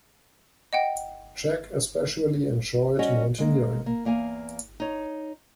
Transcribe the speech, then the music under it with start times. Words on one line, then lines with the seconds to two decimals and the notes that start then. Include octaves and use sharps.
Jack especially enjoyed mountaineering.
0.73 D#5 F#5 G5
2.99 G3 C#4 F#4 C#5 D#5 F#5
3.38 G#3 A#3
3.86 A#3
4.05 E2 A#3 F5 G#5
4.80 D#4 C#5